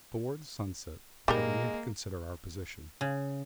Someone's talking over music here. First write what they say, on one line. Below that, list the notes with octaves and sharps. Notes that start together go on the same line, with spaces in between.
Towards sunset I began to consider our position.
A#2 G3 G#3 A#3 D#4 A#4
C#3